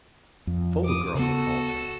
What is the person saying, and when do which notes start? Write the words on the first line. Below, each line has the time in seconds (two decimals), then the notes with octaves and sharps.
Photo girl he calls her.
0.47 F2
0.84 D6 D#6
1.15 C#3 B3 F#4 A4